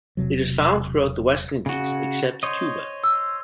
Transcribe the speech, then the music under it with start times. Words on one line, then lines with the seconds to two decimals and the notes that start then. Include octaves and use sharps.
It is found throughout the West Indies, except Cuba.
0.17 E1 C3 F#3
1.66 C#3 F#4
2.43 C5 C#5 D#5
3.04 E6